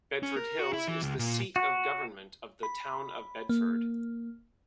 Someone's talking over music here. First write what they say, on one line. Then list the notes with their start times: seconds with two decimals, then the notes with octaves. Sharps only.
Bedford Hills is the seat of government of the Town of Bedford.
0.23 C#4
0.36 A#4
0.59 F#4
0.73 E4
0.88 E3
1.03 C#2
1.19 A#2
1.56 F#4
2.63 B5
3.49 A#3